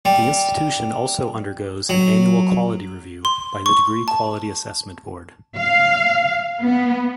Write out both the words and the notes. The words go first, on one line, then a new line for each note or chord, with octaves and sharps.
The institution also undergoes an annual quality review by the Degree Quality Assessment Board.
G3
F#3
C6
C#6
A5
F5
B3